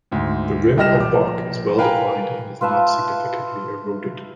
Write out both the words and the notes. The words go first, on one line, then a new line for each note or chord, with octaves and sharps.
The rim of Bok is well-defined and is not significantly eroded.
D2 G#2
C2 G4 D#5 F6 A#6 E7
A#1 D6
A#4 B4 F5 G5 G#5 A#5
F4 B4 E5 A5